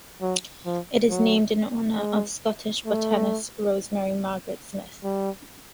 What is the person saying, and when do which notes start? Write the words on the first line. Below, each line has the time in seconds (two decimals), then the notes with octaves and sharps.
It is named in honor of Scottish botanist Rosemary Margaret Smith.
0.21 F#3
0.66 F3
1.09 F#3
1.97 G#3
2.85 A3
5.04 G3